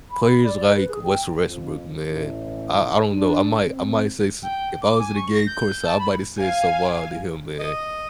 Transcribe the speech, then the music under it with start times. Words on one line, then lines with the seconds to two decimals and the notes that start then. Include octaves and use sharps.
players like Russell Westbrook, man, I I don't know, I might, I might say s if I was in a game courtside, I might have said something wild to him, man,
0.10 B5
0.44 D5
0.62 B4
0.88 G#4
1.03 G5
1.46 F2
2.05 A1
3.12 D4
3.66 C4
4.43 G5
4.82 D6
4.99 G#5
5.16 C#6
5.33 A#6
5.47 G6
5.85 A5
5.99 B5
6.37 F5 G#5
7.59 D#5